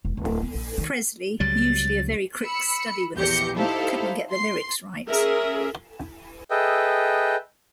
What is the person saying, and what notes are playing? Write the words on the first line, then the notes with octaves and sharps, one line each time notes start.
Presley, usually a very quick study with a song, couldn't get the lyrics right.
E1
D1
B3
A#1
D#3
C#2 F#3 G3 A6
B5 E6 C#7
A#1 E2 G4 G6 A#6 C#7
D#4 E4 G4 A4 C5 F5
C6 C7
C#4 G#4 A#4 E5
G#4 A4 B4 D#5 E5 G5